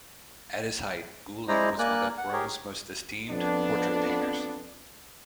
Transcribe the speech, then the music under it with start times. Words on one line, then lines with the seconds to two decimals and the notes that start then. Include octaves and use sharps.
At his height, Gaulli was one of Rome's most esteemed portrait painters.
1.48 G#3 E4 C5 D5 D#5 A#5
1.79 A#3 A#4 D5 G#5 F#6
2.18 F#5
2.33 G4 G#4 A#4 C#5
3.29 F2 B3 D4